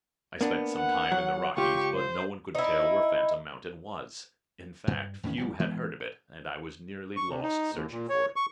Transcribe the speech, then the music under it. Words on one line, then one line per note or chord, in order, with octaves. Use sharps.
I spent some time in the Rockies, but no one could tell where Phantom Mountain was; in fact, few had heard of it, and I was nearly lost searching for it.
A#3 B3 D4
F#5
F#3
C#2 F4 G4 C#6
C5
D#4 E4
G2
E2 A2 D#3 C#4
G#1 F3 G3
E3 G#3 B3
C#6
C3
D#4
D#2
A#2
C#5
C#6